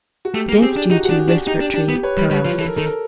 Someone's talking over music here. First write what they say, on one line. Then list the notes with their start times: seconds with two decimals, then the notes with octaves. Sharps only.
Death due to respiratory paralysis.
0.25 F#4
0.34 A3 G4
0.49 A#3
0.58 G#4
0.63 C4 G4
0.77 D4
0.91 D#4 F#4
1.05 F#4
1.09 D4 G4
1.28 D4 F#4
1.47 D#4 G4
1.60 D4
1.75 D4 G4
1.89 B3
2.03 B4 C#5
2.18 G3
2.31 G3 B4 C#5
2.45 F3
2.59 E3 A4
2.68 A#4
2.77 D#3 A4
2.86 A#4